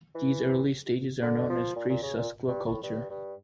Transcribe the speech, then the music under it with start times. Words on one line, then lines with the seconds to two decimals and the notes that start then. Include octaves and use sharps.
These early stages are known as pre-Sesklo culture.
0.15 E3
1.22 D3
1.50 F3
1.76 A#2
1.89 A#2
2.02 C#3
2.16 A#2
2.48 G2
2.64 A2
2.83 G2
3.10 G2